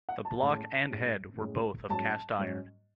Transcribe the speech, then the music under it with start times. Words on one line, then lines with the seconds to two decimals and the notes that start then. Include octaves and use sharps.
The block and head were both of cast iron.
0.09 F#5
0.25 A5
0.41 A2 G#3 C#4 A5
0.91 A2 G#3 C#4
1.40 A2 G#3 C#4
1.89 G#2 F#3 C#4 A5
2.39 G#2 F#3 C#4